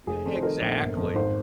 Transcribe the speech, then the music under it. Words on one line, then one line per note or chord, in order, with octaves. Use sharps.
Yeah, exactly.
F1 G#4
F2
C5
D#3 A#4
A#1
G1
F2
G#1 C5